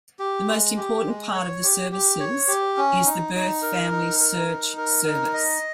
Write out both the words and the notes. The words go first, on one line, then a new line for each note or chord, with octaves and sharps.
The most important part of the services is the Birth Family Search service.
G4
G#3
G4
G#3
C#5
G4
G4
C#5
G4
C#4
D#4
D#4
A#4
D#4
A#4
D#4
A#4
D#4
D#5